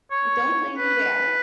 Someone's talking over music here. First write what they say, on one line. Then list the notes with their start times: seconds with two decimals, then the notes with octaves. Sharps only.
I don't blame you there.
0.11 C#5
0.77 B4